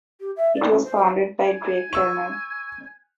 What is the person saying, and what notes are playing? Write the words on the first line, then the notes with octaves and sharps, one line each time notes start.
It was founded by Greg Turner.
G4
E5
D5
C#4
C5
C5
G#5
C#6 E6